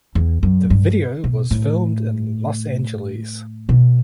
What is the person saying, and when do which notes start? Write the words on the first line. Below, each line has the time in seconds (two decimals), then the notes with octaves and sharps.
The video was filmed In Los Angeles.
0.15 E2
0.43 F#2
0.70 G2
1.24 B2
1.51 A2
3.69 B2